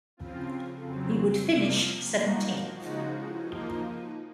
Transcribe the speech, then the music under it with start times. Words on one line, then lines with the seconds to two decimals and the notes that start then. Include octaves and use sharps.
He would finish seventeenth.
0.17 C#3 F3 C4 F4
0.82 F2 C#3 F#3 C4
1.48 C3 F3 A#3
2.12 F3 A#3 D#4 F#4
2.77 C#3 F3 G#3 D#4 F#4
3.43 F3 A#3 D#4